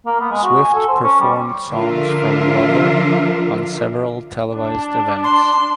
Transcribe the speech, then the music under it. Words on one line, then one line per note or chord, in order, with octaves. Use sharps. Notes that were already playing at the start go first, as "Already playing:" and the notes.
Swift performed songs from "Lover" on several televised events.
A#3
B3
G#3
F#4
G#5
A4
C5
C#4
G3
D3 F3 D4 F4 A#4 E5
D4
C6